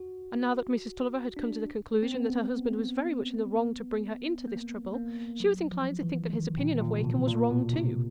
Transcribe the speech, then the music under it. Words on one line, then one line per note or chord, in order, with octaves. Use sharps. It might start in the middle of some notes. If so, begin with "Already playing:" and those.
And now that Mrs. Tulliver had come to the conclusion that her husband was very much in the wrong to bring her into this trouble, she was inclined to think that his opinion of Wakem was wrong too.
Already playing: F#4
D4
C4
B3
A#3
A#3
F#3
F3
E3
D#3
A#2
A#2
C3
B2
A#2
B2
C3